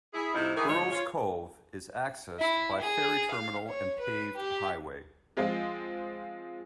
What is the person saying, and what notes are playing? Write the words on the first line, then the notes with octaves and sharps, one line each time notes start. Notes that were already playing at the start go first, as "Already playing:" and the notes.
Earls Cove is accessed by ferry terminal and paved highway.
E4 G#4
A2 C3 F3 D#4 E4
D#3 E3 G#4
D2 G#2 B2 G#3 F4 C#5
F4 C#5
E4
G#4
F5
C#5
B4
G4
F3 G#3 C4 F4